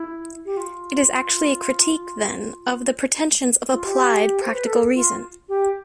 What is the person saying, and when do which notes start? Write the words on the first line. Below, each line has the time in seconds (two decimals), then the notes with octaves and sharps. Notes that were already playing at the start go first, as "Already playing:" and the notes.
It is actually a critique, then, of the pretensions of "applied" practical reason.
Already playing: E4
0.46 G4
0.57 F4
3.73 F4
3.85 G4
4.41 C5
4.54 B4
4.67 A4
4.94 F4
5.49 G4